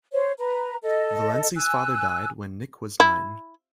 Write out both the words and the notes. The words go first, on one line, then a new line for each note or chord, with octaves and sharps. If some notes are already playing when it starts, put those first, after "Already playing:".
Valensi's father died when Nick was nine.
C5 C#5
B4 A#5
A4 D#5
G#5 E6 F#6
E4